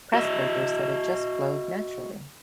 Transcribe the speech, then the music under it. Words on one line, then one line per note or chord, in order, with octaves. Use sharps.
Pressburger said it just flowed naturally.
F#4 D#5 E5